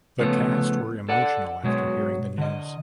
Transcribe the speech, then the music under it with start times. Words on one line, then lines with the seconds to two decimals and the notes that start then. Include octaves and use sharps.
The cast were emotional after hearing the news.
0.20 C#3 F3 A3 B3
1.09 A4 D5 F#5
1.63 B2 F#3 G#3
2.38 D3 D#5